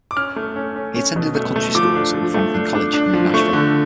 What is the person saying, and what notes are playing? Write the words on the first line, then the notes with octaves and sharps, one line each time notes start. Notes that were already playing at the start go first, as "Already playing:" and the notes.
He attended the country schools and Franklin College, near Nashville.
D6
C#4 F6
A3
C#4
C#4
C#4
B2
A3
A3
F3 D6
D4
F3
A3
D4
D4
D4
F3
A3 C#6
D3